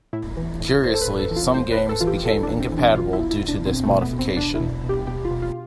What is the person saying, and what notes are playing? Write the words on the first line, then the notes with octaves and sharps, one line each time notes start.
Curiously, some games became incompatible due to this modification.
A2 E4
E3
A2
A2 C5
A4
B4
A2
A4
E3
F4
A2 C5
B4
A2
A4
E3 F4
G4
A2 A4
D4
E3
C4
E3
D4
B2 F4
E4
B2
E4
B2
D4
B2 C4
A3
B2
B3
B2
C4
B2 D4
E4
B2
B2
G4
B2 G4
F4
B2
F4